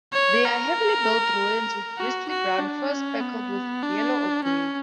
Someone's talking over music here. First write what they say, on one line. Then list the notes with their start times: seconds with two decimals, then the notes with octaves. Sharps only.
They are heavily built rodents, with bristly brown fur speckled with yellow or grey.
0.13 C#5
0.45 A#4
1.98 F#4
2.29 F#4
2.59 D4
2.90 C#4
3.21 B3
3.83 D4
4.44 C#4